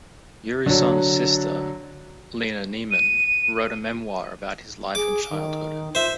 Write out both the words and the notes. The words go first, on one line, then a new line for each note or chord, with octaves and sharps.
Urysohn's sister, Lina Neiman wrote a memoir about his life and childhood.
D3 F#3
D#7
G#4 D6
D#3
F4 C5 E5